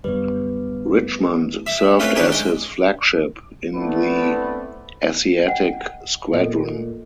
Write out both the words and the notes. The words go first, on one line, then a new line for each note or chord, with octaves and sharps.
"Richmond" served as his flagship in the Asiatic Squadron.
F#2 D3 G3 B3 B4
E5
A3 C4 C#4 F4 B4
D#3 C#4 D4 G#4 B4
G#3 G5
A3 B3 C4 D4 E4 B4
D#5 F#5 G5
A#2 A4 D#5